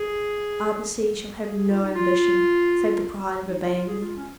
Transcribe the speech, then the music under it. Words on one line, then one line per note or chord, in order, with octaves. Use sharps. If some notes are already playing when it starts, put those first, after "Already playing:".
Arbaces shall have no ambition, save the pride of obeying thee.
Already playing: G#4
G#4
G#4
F4
D#4
F4
D#4
F4
F4
G#4
F4
C#4